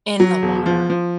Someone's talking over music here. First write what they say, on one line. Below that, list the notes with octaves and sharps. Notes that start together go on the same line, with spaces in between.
in the water,
F#3
E1
F3
F3